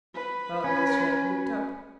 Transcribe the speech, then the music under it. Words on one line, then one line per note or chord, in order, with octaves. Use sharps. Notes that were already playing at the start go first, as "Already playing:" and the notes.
Father De Smet looked up.
B4
C#4